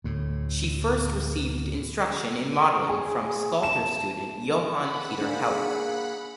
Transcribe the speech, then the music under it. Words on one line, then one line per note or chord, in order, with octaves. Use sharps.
She first received instruction in modeling from sculptor student Johan Peter Heldt.
D2 A2
G#4
A5 E7
F#5 B5
A#3 D4 G#4 C5